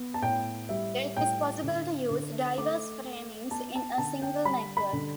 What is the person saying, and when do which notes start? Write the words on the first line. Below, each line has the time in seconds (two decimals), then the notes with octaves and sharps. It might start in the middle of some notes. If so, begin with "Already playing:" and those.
It is possible to use diverse framings in a single network.
Already playing: B3
0.14 A5
0.22 A2 G5
0.69 G3 E5
1.16 A2 G5
1.63 D3
2.11 D3
2.58 A3 D6
3.04 A3
3.51 B3 A5
3.75 A5
3.98 D3 A5
4.22 G5
4.45 G3 B5
4.77 B5
4.93 D3